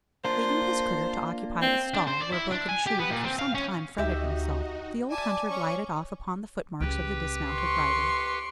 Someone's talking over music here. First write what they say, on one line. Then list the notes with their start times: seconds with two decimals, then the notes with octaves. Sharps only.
Leaving his critter to occupy the "stall" where broken-shoe had for some time fretted himself, the old hunter glided off upon the footmarks of the dismounted rider.
0.25 A#3 D4 F4 C5
1.62 C4
1.94 D4
2.08 C5
2.21 D5
2.33 E4
2.52 D4
2.69 G#5
2.86 G4
2.99 B3
3.11 A#2
3.24 C4
3.39 F5
3.55 C#4
3.98 D2 D#4 F#4 G4 D#5 E5
5.11 D5 E5 G#5 A5 D6
5.47 C#4 C#6
6.80 C#2 C#4 G4 B4 G5
7.52 C6 C#6